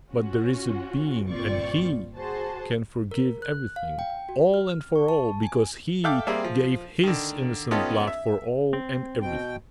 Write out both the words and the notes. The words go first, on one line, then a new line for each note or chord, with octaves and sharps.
But there is a Being and He can forgive everything, all and for all, because He gave His innocent blood for all and everything.
C#4 F4 F#4
G1 A#2 C4 F4 D5 C#6
F#4 G#4 C5 A5
A#4
F#6
F5
G5
F#4
F6
C#6
A5
G#5
A4 E5 F5 G5 D6
G3 A#3 C4 G#4 E5
F3
D3 D#3
B3 C#4 D#4 F4 G4 A4
E5
C4
B2 G5